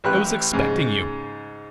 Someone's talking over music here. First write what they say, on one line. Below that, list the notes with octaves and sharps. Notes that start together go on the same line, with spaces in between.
I was expecting you.
A1 G4 B4 F#6
G#2 C#3